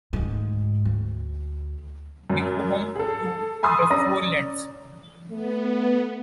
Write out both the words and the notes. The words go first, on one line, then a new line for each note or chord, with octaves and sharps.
They go home to the Four Lands.
D2 G#2
D2
F#2
G#4 A4
G#5 B5 C6 D#6 E6 A6
C#4 D5 A#5 A#6 D#7
A3 B3